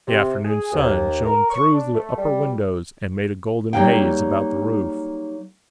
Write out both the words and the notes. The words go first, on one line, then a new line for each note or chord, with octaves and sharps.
The afternoon sun shone through the upper windows and made a golden haze about the roof.
C3
G#4
D#2
A#4
C#6
D4
A3
G3
F#3 G3 A#3 D#4 F5 G5